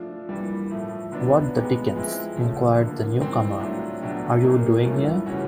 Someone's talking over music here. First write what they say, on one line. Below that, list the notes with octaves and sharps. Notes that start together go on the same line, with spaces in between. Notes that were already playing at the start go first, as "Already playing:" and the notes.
"What the dickens," inquired the newcomer, "are you doing here?"
Already playing: F3 A3 D4 F4
G2 E3 G3 A#3
A2 F3 A3
D3 F#3 B3 D4
F3 G#3 B3 D#4 G4
F3 G#3 C4 E4
C#3 F3 A3
D3 F3 A#3
G#2 E3 G3 C4
A2 F#3 A3 D4 F4
B2 F#3 A3 D4 G4
A#2 F#3 A#3 D#4
G2 E3 A3 C#4 F4
C#3 E3 A3 C#4 F#4